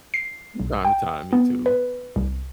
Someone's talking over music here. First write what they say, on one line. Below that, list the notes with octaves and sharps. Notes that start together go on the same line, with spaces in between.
From time to time, me too.
C7
B1
G5
B3
B4
C2